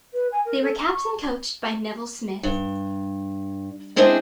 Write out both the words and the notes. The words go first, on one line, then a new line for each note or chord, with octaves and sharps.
They were captain-coached by Neville Smith.
B4
G#5
A#4
A4
A#5
C#6
G2
G#3 C4 D4 E4 G#4 C5